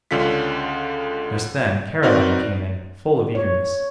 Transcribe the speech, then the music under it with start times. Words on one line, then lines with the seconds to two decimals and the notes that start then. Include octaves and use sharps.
And, just then, Caroline came in, full of eagerness.
0.11 C#2 D3 C#4 F4 B6
2.03 C4 D#4 F#4 A#4 B4 D5
3.35 C#5